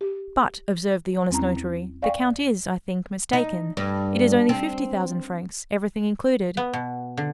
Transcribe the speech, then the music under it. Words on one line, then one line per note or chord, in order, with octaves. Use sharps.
"But," observed the honest notary, "the count is, I think, mistaken; it is only fifty thousand francs, everything included."
G4
E2 G3 C4 C#4 E4 A#5
D5 F5 G5 G#5 C#6
D#4
G2
C4
B3
B2
D3